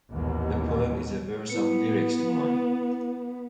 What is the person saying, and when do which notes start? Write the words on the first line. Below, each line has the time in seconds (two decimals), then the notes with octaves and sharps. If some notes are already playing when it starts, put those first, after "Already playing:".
The poem is a verse of lyrics to "Money".
0.12 A1 D#2 G#2 B2
1.49 B3 E4 B4 C#7